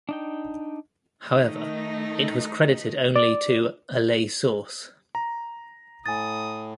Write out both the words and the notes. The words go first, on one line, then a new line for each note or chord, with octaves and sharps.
However, it was credited only to a "lay source".
D4 D#4 G5
D#3 A3 D#4
D5
A#5
A2 G#5 D#6 A6